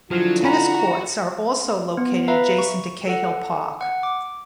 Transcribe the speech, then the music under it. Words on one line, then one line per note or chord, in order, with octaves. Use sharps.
Tennis courts are also located adjacent to Cahill Park.
D3 F3 F#3 E4 F4 F6 C7
F#4 A#5 B5
B3
B4 E5 F5 A#5 B5
C#6
A4 F#5
F#5
D6